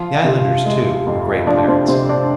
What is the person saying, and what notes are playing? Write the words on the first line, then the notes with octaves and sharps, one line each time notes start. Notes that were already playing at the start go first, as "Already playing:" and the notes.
The islanders, too, were great pirates.
Already playing: F3 F4
C3
G#3
F2
F3 D4 D5
C4 C5
C3 C4 C5
D4 D5